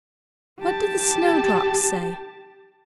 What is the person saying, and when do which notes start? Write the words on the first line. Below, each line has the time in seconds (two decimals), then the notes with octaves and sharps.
What did the Snowdrops say?
0.60 G4 A5